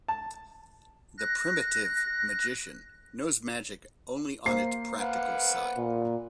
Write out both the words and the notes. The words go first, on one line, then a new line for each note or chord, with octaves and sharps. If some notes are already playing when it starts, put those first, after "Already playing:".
The primitive magician knows magic only on its practical side.
A5
F#6 A#6
A#3 C5 C7
B4 F5 F#5
A#2